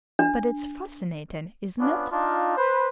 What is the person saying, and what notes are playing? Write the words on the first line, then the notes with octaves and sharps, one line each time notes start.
But it's fascinating, isn't it?
D4
B3 C#4 D4 F4
D4 D#4 F4
B4 C5